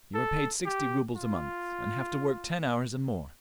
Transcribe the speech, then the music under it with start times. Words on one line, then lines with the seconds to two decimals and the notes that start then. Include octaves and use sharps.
You are paid sixty rubles a month, and have to work ten hours and more....
0.15 A4
0.66 G4
1.16 F4